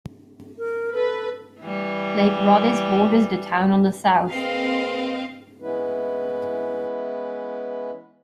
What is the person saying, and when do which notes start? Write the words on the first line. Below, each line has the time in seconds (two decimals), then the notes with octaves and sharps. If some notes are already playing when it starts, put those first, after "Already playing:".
Lake Rhodhiss borders the town on the south.
0.58 A#4
0.94 A4 B4
1.61 E3 G3
4.31 A#3 C4 G#4 B4 D#5 F5
5.62 E3 G#3 B3 C#4 E4 B4